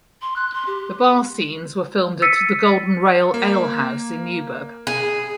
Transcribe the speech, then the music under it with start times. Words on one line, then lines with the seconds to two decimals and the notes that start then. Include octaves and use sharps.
The bar scenes were filmed at The Golden Rail Ale House in Newburgh.
0.21 C6
0.36 F#6
0.54 C6
0.66 G4
2.22 E6 A6 B6 C#7 D#7
3.34 A#3
4.87 G#4